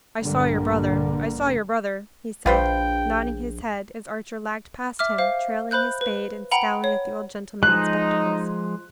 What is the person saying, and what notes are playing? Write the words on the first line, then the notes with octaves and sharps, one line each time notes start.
"I saw your brother--I saw your brother," he said, nodding his head, as Archer lagged past him, trailing his spade, and scowling at the old gentleman in spectacles.
A#1 G2 D3 G3 A#3
A#1 F4 B4 C5 G5
E5 D6 F6
C5 F5
C5 B5 F#6 G6
B4
F#5 G5 A#5 B5
C#5
F3 G#3 D#4 F#6